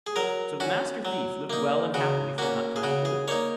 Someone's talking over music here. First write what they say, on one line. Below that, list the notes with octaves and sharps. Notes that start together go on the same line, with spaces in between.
So the Master Thief lived well and happily from that time forward.
G#4
F#3 A#4
C#4 F#4
F#3
A#3 D#4
C#3 F#4
A#3 C#4 F#4
G#4
C#3 F#4
G#4
A#3 D#4 C#5